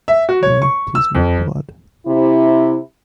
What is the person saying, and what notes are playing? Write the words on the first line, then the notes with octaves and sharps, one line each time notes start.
No, 'tis not blood.
E5
F#4
C#5
C#6
E6
F2
C3 E4